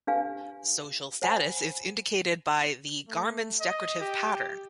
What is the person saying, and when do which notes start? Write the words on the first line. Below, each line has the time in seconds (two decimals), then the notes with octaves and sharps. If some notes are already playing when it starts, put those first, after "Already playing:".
Social status is indicated by the garment's decorative pattern.
0.07 D4 G4 B4 F5 G#5
1.22 C5 F#5 G#5 B5
3.08 A3
3.60 D#5
4.01 G4